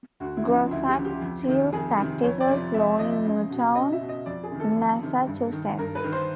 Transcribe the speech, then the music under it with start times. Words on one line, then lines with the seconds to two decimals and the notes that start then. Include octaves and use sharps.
Grossack still practices law in Newton, Massachusetts.
0.20 D2 F#4
0.37 E4
0.46 C#3 F3
0.54 D#4
0.71 D2 E4
0.88 G4
0.96 C#3 F3
1.05 G4
1.22 F2
1.47 C3 D#3
1.72 F2 G#4
1.98 C3 D#3
2.23 F2 C#5
2.40 D5
2.49 C3 F3
2.74 F2 E5
2.99 C3 F3 D#5
3.25 C#2
3.50 B2
3.75 C#2 D#5
3.92 E5
4.01 B2
4.09 D#5
4.26 F2 D5
4.43 G#4
4.51 C3 D#3
4.60 A4
4.76 F2
5.03 C3 D#3
5.27 G2
5.53 D#3
5.78 G2 A#4
5.95 B4
6.04 D#3
6.12 C5